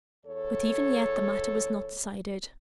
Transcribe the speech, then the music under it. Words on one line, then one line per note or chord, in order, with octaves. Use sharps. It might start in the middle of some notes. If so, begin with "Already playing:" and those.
But even yet the matter was not decided.
E2 A4 C#5